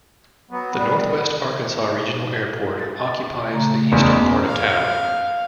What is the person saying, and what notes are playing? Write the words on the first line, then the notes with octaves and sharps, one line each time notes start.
The Northwest Arkansas Regional Airport occupies the eastern part of town.
F#3 B3
G3 B3
A6
C#3 A3 A#5
F#1 E2 B3 C#4
F5